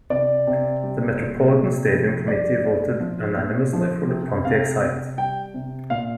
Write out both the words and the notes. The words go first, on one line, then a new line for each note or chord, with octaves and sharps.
The Metropolitan Stadium Committee voted unanimously for the Pontiac site.
C3 D5
C3
G3
A#2
C3
F3
G3 D5
A#2
F3
A#2
F3
C3
C3 F5
C3
G3 G5
C3
A#2 F5